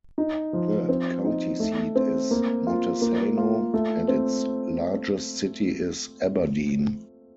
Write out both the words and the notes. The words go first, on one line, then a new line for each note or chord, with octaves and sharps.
The county seat is Montesano, and its largest city is Aberdeen.
D#4
F3
C4
D#4
A3
C4
A#3
F4
A#3
F4
A3
C4